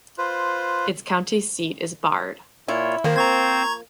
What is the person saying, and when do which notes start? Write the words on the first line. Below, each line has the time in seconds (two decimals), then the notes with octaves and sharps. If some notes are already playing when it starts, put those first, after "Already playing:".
Its county seat is Baird.
0.18 F4 B4 C5
2.68 A#2 E4 F4 C#5
3.04 D#3 F3 A#3 C5
3.16 C4 C5 A#5 C#6 G#6